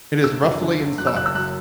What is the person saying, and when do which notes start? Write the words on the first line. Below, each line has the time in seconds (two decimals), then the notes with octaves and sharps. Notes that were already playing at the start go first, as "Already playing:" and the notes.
It is roughly in size.
0.24 F#1 E6
0.42 F#2
0.61 D3
0.79 F#1
0.98 F#2 F#6
1.07 E6
1.16 F#1 F#6
1.26 E6
1.34 F#2 F#6